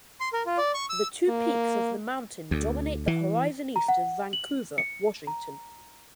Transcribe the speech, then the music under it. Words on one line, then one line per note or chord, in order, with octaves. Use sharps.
The two peaks of the mountain dominate the horizon east of Vancouver, Washington.
C6
A#4
F4
D5
C#6
E6
A#3
D2
E3
A#5
F#5
F#7
C#7
A#5